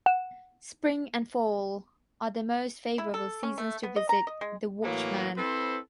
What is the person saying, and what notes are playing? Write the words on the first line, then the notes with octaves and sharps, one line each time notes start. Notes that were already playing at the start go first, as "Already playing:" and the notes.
Spring and fall are the most favorable seasons to visit The Watchman.
F#5 E7
E4
A4
C#4
A3
B3
D#5
A#5
D#5
G#3
A2 E3 F#3 A#3
C4 E4 A4 B4 C5